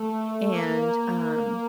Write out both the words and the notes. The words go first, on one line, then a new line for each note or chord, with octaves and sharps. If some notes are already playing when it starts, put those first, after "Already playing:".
And, um,
Already playing: A3
A#3